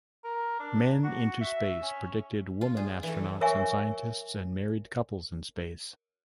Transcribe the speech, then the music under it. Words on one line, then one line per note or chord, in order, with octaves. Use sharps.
"Men Into Space" predicted women astronauts and scientists and married couples in space.
A#4
D4
F#4
E5
C#4
F4
G#4 D5
E3 A3
A#4 C#5 E5 G#5 C#6